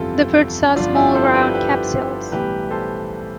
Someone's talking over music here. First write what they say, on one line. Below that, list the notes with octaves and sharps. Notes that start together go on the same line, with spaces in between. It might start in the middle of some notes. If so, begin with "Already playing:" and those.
The fruits are small round capsules.
Already playing: G1 F2 C3 E3 G3 F4 A4
G1 G2 F3 D4 F4
E4 G4
A4 C5
G4 B4
G4 B4
B1 A2 E3 G3 G4 B4
A4 C5